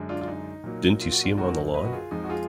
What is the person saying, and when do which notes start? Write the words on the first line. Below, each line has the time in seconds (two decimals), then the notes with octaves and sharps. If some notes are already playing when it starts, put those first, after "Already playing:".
Didn't you see him on the lawn?
Already playing: F#2 D3 G#3
0.09 D4 F4
0.21 F4
0.28 D#4
0.64 A#2 F#3 A#3
1.01 F4
1.12 F#4
1.23 D4 F4
1.38 F#2 D3 F#3 A#3 F#4 A#4
1.74 B4 D#5
1.85 F#4
1.92 F4 G#4
2.11 F2 F3 G#3 D#4
2.24 F#4
2.29 F4 G#4